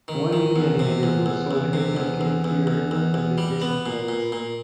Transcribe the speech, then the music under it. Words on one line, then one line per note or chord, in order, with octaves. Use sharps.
One Indian individual sold Hilton Cape Fear river and adjacent lands.
D#3
D#3
E2
C3
E2
E2
E2
C3
E2
E2
E2
E2
E2
E2
G3
B3
A#2
A#2
A#2